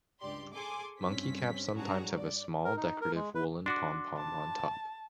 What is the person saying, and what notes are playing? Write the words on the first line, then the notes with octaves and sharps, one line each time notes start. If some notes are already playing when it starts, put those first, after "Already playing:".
Monkey caps sometimes have a small, decorative, woollen pom-pom on top.
C#2 G2 G4 D5 C6
G#4 A4 G#5 C6 D6
G2 C4 C#4 B6
G2 C#4 F#4 G#4 A5 A#5
D5
A#4
D#4
A#4
G#3
B4
D4 F#4 C6 D6
A5